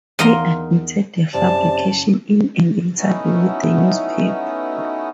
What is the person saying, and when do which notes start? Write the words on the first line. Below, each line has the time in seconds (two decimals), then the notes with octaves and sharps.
He admitted the fabrication in an interview with the newspaper.
0.19 E2 D#4 A#4 F5 A#5 C6
1.34 F#1 C3 D5 A5
2.97 A3 B3 C#4 D#4 E4 F#4